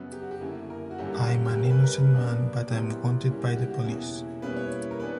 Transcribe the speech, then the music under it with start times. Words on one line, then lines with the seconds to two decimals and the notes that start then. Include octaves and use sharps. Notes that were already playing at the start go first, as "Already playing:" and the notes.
I’m an innocent man, but I’m wanted by the police.
Already playing: F#2 C#3 F#3 B3
0.12 G4
0.22 F#4
0.31 G4
0.41 F#2 D3 A#3 E4
0.70 A#4
0.91 F#4
0.98 G2 D3 F#3 A#3 C#4 G4
1.13 F#4
1.27 G4
1.45 G4
1.55 F#2 C#3 G3 C#4 A#4
1.70 B4
1.84 A#4
1.97 B4
2.13 B2 A#3 D4
2.70 A#2 F#3 B3 E4 G4
3.27 C#3 G3 A#3 C#4 E4
3.44 F#4
3.56 G4
3.71 F#4
3.85 E2 B2 A#3 C#4 E4
4.42 B2 G3 A#3 C#4 E4 B4
4.57 C#5
4.91 A#4
5.00 E3 B3 D4 B4